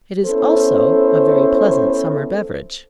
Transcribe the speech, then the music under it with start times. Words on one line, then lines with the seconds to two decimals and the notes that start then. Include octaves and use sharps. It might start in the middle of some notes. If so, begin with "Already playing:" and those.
It is also a very pleasant summer beverage.
0.25 B3 C#4 E4 A4 C5